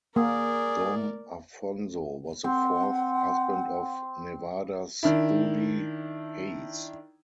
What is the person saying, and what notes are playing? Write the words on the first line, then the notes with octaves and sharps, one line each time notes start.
Dom Afonso was the fourth husband of Nevada Stoody Hayes.
A#3 G#4 A#4 D5
C4 F#5
D#3 D4 E4